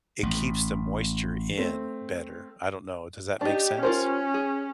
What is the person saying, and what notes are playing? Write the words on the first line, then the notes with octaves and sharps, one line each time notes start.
it keeps the moisture in better. I don't know, does that make sense?
A1
A3 C4
D4 D#4 G4
C#4 F4 A#4 C5
G#4